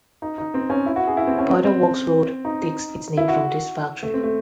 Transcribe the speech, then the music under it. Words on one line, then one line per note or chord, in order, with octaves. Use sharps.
Powder Works Road takes its name from this factory.
D#4
D#4
C4
C#4
E4
F#4
G#4
E4
C4
C#4
C4
C4
D#4
E4
F#4
A3
C4
A3